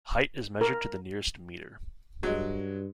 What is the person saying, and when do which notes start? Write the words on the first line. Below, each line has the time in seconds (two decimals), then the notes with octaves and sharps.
Height is measured to the nearest metre.
0.61 A#4
2.23 G2 F#3 G#3